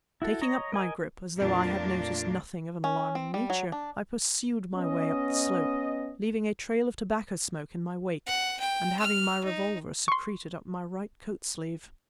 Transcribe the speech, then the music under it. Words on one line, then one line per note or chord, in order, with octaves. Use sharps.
Taking up my grip, as though I had noticed nothing of an alarming nature, I pursued my way up the slope, leaving a trail of tobacco smoke in my wake; and having my revolver secreted up my right coat-sleeve.
E4 F#4 A4
C#5 D#5 A#5
A#4 D#5 G#5
F2 A#2 A3 A#3 D4 F4
C#4
C4
G3
F#3
D4
B3 C#4 D#5
F#5
G5
F6
D#4
C6 C#6